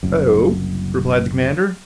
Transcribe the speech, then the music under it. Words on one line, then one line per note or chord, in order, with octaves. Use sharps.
"Oh?" replied the commander.
F#1 C2 F#2